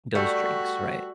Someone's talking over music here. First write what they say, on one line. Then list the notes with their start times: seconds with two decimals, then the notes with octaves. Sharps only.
those drinks, right?
0.15 G3 A3 F#4